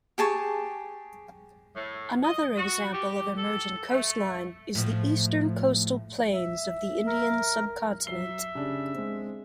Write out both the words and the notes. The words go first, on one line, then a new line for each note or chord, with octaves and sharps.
Another example of emergent coastline is the Eastern Coastal Plains of the Indian Subcontinent.
G4 G#4 A5 C#6
A2
D#5
F#4
G4
A4
A3
A2 F3
E5
A#4
F#3 E5 C7 G7
C#3 D4 G4
G#3 C4